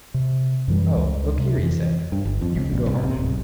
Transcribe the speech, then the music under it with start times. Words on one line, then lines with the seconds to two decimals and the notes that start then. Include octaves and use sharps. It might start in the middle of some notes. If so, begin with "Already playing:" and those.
"Oh, look here," he said, "you can go home."
0.14 C3
0.68 F#2 E3 G3
0.95 C#2 G#3
1.38 C3
1.58 F2 E3
2.12 G2
2.25 G1
2.41 F2
2.56 C#2
2.73 A#1
2.86 C2
3.03 C3
3.17 D1
3.29 B1